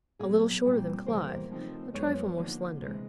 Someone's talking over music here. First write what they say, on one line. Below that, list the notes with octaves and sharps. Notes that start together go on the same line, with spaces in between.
A little shorter than Clive, a trifle more slender.
A#2 F#3 B3 G#4 A#4
A#2 G3 C4 F4
E2 C3 E3 G3 A#3 A#4 C5
C#3 F3 A3 C4 D#4
F#2 C#3 F3 G#3 B3 B4 C#5
D3 F3 A#3 D#4
C3 E3 G#3